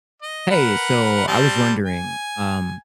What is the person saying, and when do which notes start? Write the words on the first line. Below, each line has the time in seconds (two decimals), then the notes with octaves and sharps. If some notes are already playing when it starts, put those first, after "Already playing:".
Hey, so I was wondering, um,
0.23 D#5
0.50 A#4 B4 F#5
1.28 G3 C4 A5
1.86 G#5